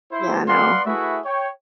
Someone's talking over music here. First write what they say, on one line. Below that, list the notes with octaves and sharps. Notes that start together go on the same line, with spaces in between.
Yeah. I know, huh.
E4 C5
B4 D5 F5 F#5 C6
A3 E4 F#4 G#4 B4 E5
C#5 G5